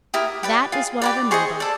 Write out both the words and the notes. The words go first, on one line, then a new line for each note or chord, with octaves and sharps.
That is what I remember.
E4 G4 A#4 D#6
G4 B4 D5
F4 G#4
G4 B4 D5
G#4 C5 D#5 C#6
A4 D5